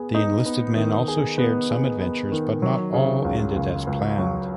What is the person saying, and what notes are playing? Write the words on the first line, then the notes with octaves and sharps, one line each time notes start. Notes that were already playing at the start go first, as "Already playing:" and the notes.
The enlisted men also shared some adventures but not all ended as planned.
Already playing: B3 G#4
D#4
B3
D#3
G#4
B3
G#4
B3
D#3
F#3
C#3
C#2
C#2
C#2
F#3